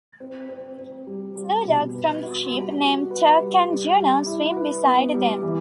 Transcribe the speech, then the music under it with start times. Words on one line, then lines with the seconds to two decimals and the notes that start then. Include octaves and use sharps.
Two dogs from the ship named Turk and Juno swim beside them.
0.20 C4
0.48 C4
0.78 C4
1.07 G3
1.36 G3
1.65 B2
1.94 B4
2.23 F#4
2.52 G3
2.81 F#4
3.11 B4
3.40 G3
3.69 G3
3.97 G3
4.26 E4
4.56 B4
4.85 B3
5.14 G3
5.43 E3